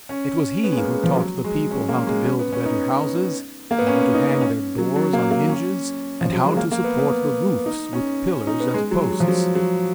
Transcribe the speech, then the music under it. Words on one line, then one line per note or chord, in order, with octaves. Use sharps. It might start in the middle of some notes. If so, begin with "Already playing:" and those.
It was he who taught the people how to build better houses and how to hang their doors on hinges and how to support the roofs with pillars and posts.
C#4
B3
G#3
A#3
G#3
F3
F#3
G#3
C#4
A#3
G#3
C#4
B3
C#4
D#4
A#3
B3
C#4
D#4
C#4
F#3
F#3
A#3
A#3
C#4
F3
F#3
G#3
A#3
A#3
B3
B3
D#4
C#4
C#4
D#4
B3
G#3
F#3
F#3
F3
F#3
F#3